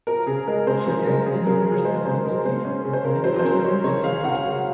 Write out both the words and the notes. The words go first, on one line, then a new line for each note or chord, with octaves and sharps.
She attended the University of Kentucky and Western Kentucky University.
F3 A#4
C#3 G#4
G#3 A#4
C#3 C5
C#3 C5
C#3 A#4
C#3 G#4
C#3 A#4
F3 A#4
G#3 C5
C#3 C5
G#3 A#4
C#3 C5
C#4
C#3
C5
C#3 A#4
F#3 C5
C5
C#4 A#4
F#3 C#5
C#3 C#5
C#3 F5
C#3 F#5
F#3